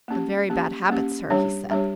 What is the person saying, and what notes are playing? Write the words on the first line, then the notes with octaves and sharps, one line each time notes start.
"A very bad habit, sir," he said.
A#3 C#4 G4
A#3 C#4 G4
A#3 C#4 G4
G3 D4 G4 C#5
G3 D4 G4 C#5